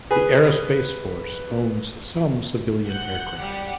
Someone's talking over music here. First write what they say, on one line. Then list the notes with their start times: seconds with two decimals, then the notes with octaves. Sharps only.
The Aerospace Force owns some civilian aircraft.
0.11 G#4 B4
2.86 F#5 F#6 G6
3.38 G3 G4 F#5